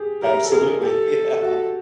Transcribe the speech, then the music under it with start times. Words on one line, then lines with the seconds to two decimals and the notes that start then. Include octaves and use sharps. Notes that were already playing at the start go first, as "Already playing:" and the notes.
Absolutely, yeah.
Already playing: G4 G#4
0.22 G4 A#4
0.44 A4
0.52 G#4 A#4
0.82 G4 A4
1.42 F#4